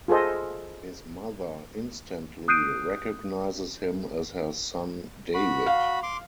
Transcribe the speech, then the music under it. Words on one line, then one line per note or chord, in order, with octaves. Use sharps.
His mother instantly recognizes him as her son David.
F4 G#4 A4 C5 D#5
D#6 F#6 G6 C7 D7 D#7
F#4 B5
F5
C6 D6